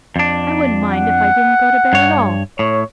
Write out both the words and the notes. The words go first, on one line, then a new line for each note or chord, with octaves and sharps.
"I wouldn't mind if I didn't go to bed at all."
F2 D4
F#5
G2 C#5
A2 C#5